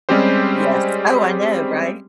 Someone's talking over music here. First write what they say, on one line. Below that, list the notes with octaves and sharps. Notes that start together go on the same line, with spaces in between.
Yes. Oh, I know. Right?
G3 G#3 C4 C#4 G4 C5